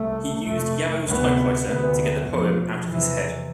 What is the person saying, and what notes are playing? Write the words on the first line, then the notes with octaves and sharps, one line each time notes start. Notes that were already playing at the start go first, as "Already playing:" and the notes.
He used Yarrow's typewriter to get the poem out of his head.
Already playing: C2 C3 A3
F2 C3 A3
D2 C3 B3
D2 C3 B3
E2 B2 F3
E2 C3 E3